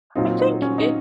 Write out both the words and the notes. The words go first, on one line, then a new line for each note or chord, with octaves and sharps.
I think it
A#2 F#3 C4 D#4 F4
D#4
C#4
D#4